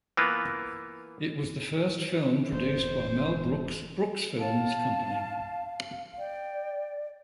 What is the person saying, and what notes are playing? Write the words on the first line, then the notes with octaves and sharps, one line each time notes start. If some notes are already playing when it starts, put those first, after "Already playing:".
It was the first film produced by Mel Brooks' Brooksfilms company.
E3 A#3 B3 F4
E1 F2 G#2 C5
F5 A5
D5 G5